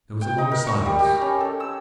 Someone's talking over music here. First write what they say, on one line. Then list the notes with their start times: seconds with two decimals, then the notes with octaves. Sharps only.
There was a long silence.
0.21 G5
0.38 D#4
0.51 A#4
0.67 C#6
0.85 G3
0.99 G4
1.21 C#4
1.40 A4
1.60 E6